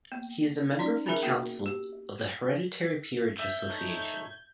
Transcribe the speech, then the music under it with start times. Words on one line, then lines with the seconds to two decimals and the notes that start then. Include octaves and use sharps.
He is a member of the Council of the Hereditary Peerage Association.
0.12 A#3 B3
0.79 C#4 D#4 D5
1.06 G#4 A#4 E5 G#5 A#5 B5
1.23 A#3 B3 F#4
1.66 G4
3.39 E5 G6 G#6
3.68 A3 D#4 C#5